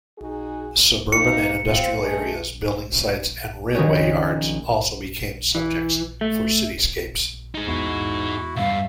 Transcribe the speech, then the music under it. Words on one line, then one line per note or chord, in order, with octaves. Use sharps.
Suburban and industrial areas, building sites and railway yards also became subjects for cityscapes.
D#4 F#4 G#4
C3 A#3 D#4 C#7
C4 F4
A3 D#4 G#4
A#1 D#3 F3 C#4 F#4 C#5
E3
A3
D#4 G#4
E2 E4 F#4
B1 G2 E5 F5